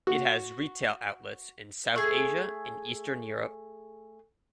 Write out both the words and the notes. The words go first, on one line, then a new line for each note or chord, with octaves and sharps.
It has retail outlets in South Asia and Eastern Europe.
F#4
A3 G#4